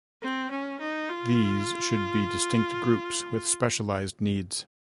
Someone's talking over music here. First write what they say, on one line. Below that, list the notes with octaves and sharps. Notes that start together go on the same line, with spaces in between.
These should be distinct groups with specialised needs.
C4
C#4
D#4
F4